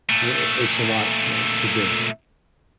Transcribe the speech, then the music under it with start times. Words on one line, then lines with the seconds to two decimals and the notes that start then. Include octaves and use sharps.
i i it's a lot, eh, to do,
0.09 A#2 A3